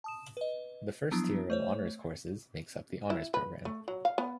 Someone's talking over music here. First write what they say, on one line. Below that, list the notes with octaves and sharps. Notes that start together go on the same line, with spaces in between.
The first tier of Honors courses makes up the Honors Program.
A5 D#6 E7
B4 D#5
F3 F#3 B3 D4 E4
A3 C5 C#5
E4
B4
A3
F#3
F5
B3